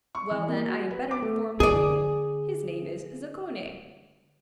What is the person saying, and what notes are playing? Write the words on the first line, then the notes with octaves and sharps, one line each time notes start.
"Well, then, I am better informed than you; his name is Zaccone."
C#6
E3
A#3
F#4
B4
D6
A3
D3 G#4 D5